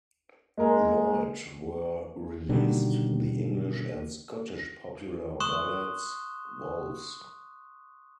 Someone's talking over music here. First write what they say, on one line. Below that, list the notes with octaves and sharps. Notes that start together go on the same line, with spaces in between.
Lloyd were released: The English and Scottish Popular Ballads, Vols.
G#3 A#3 A#4
B2 D3 D#3 G3
C6 C#6 D#6 F#6 E7 G7